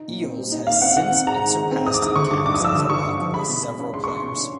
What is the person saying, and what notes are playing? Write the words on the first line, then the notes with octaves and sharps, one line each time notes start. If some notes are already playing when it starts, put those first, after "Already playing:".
Eales has since been surpassed in caps as a lock by several players.
Already playing: D#4
A#2
C4
G3
D#4
A#2 F5
C4 F#5
D#3 F#5
C4
G#2 A#5
G#3
D#3
C4
G#2 D#6
D6
G#3 D#6
D3 C#6
G2 D6
G2 D6
D#6
F3 E6
D3 D#6
G2 C#6
G2
F3
G#3 B5
B2
B2
C#4
G#3 C6
C#6
B2 C6
B2
C#4